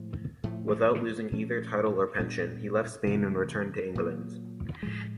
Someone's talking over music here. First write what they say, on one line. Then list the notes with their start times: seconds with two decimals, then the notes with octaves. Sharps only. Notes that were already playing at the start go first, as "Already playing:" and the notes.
Without losing either title or pension, he left Spain and returned to England.
Already playing: A2 F3 G#3
0.44 A2 F3 A3
1.31 A#2 F3 A3 C#4
2.20 A#2 G3 B3 D4
3.07 C3 E3 A3
3.95 A#2 F#3 A#3
4.83 A2 F3 G#3